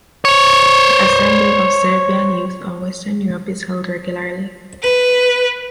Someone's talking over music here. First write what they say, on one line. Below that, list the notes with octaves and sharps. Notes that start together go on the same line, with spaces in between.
The Assembly of Serbian Youth of Western Europe is held regularly.
C5 C#5
B4